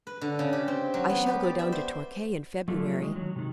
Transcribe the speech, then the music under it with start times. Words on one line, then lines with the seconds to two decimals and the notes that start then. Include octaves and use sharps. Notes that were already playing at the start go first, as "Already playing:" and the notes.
I shall go down to Torquay in February.
0.07 B4
0.21 D3
0.39 C#3
0.53 G4
0.68 C4
0.94 F#3
1.09 B3
1.26 G4
1.43 D5
1.59 E5
1.72 C5
2.68 F#3 A3 A#3 D4 F4 G4
2.98 D#3 G#3
3.16 F#3
3.36 C3 D#3